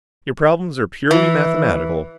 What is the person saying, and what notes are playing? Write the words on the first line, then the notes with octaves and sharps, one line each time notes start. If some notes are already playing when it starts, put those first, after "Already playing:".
Your problems are purely mathematical.
E3